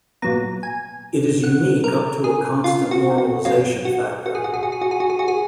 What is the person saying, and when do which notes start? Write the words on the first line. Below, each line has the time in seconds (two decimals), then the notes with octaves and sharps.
It is unique up to a constant normalization factor.
0.22 A#2 F#3 B3 A#5
0.63 G#5
1.44 F#5
1.84 A#4
2.24 G#4
2.64 F4
2.91 F#4
3.18 F#4
3.45 B2 F#3 C#4 F4
3.85 F#4
4.26 F#4
4.35 G#4
4.44 F#4
4.54 G#4
4.63 F#4
4.72 G#4
4.82 F#4
4.91 G#4
5.00 F#4
5.10 G#4
5.19 F#4
5.28 G#4